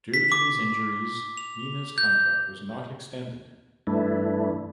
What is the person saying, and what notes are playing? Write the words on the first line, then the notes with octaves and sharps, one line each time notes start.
Due to these injuries Mina's contract was not extended.
B6
D6
F7
G6
G2 E3 A3 D4 E4